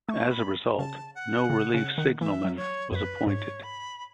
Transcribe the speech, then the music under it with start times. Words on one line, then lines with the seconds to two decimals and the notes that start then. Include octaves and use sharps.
As a result, no relief signalman was appointed.
0.08 A3 C#6 E6
0.31 B5
0.79 C#3 A5
1.15 F#5
1.50 C#3
1.74 C#3
1.98 D#3
2.20 E3 E5
2.44 F#3
2.56 C#5
2.91 F#2 C#5
2.95 B4
3.27 G#2 C#5
3.63 B5
3.98 B5